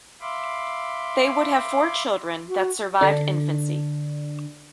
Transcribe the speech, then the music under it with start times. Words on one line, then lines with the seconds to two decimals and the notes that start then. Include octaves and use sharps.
They would have four children that survived infancy.
0.21 E5 F5 B5 C6 D6
2.49 F#4
3.01 D3 D4